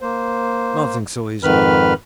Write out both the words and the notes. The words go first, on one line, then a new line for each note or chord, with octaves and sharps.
Nothing so easy!
A#3 C5
F2 G#2 D#3 B4 B5 F6